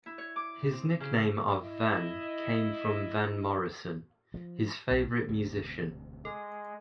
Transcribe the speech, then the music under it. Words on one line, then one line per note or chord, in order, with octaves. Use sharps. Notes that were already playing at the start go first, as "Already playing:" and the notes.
His nickname of "Van" came from Van Morrison, his favourite musician.
E4
C#5
D6
C4
C#3
E4 D#5
F3
B1
E1 D2 C3
G#3 A4